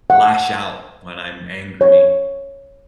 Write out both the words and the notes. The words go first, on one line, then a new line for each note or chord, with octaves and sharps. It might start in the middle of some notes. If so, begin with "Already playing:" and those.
lash out when I'm angry
F#5
C#5